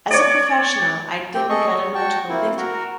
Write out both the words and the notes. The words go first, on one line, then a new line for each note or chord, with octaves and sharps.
As a professional, I didn’t get a notable victory.
C#5 D5
C4 G4 G5
G#4 A4 D#5 C#6
C#5
F#4 G5 A5 C#6
A#3 C4 E4
F#4 A#4